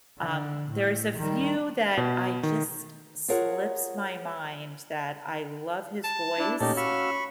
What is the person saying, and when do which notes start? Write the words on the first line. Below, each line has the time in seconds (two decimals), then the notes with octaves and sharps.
Um, there's a few that I just slips my mind that I love his voice,
0.19 D3
0.70 A2
1.17 D#3 G3
1.97 B2
2.43 D#3
3.28 F4 G#4 A#4 C#5 F#5
6.04 A5
6.39 D4 E4
6.60 A#2 A3 C#4 D#4 G4 A5
6.77 F#4 F5 B5 C#6 E6